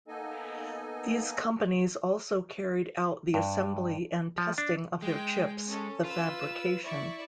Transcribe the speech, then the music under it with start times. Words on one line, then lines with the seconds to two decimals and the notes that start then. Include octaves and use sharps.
These companies also carried out the assembly and testing of their chips, the fabrication.
0.08 A#3 B3 D#4 A4 D#5 G#5
3.34 G2
4.38 F3
4.58 D4
5.02 G#3 G5
5.68 C#4 A4
6.04 F4 B4 E6
6.83 E4 D5 C#6